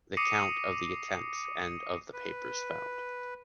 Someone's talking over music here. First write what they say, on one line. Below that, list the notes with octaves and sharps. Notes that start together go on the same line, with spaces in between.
The count of the attempts and of the papers found.
D6 D#6 A#6 C7 C#7 D#7
B4